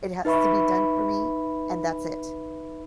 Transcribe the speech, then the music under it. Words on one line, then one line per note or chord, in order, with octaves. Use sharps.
it has to be done for me, and that's it."
D#4 B4 E5 B5 C#6